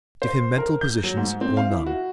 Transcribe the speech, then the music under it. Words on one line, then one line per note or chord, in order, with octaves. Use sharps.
Give him mental positions or none.
C5
A#4
G6
F#3
G#2
C4
F5
E4
F#4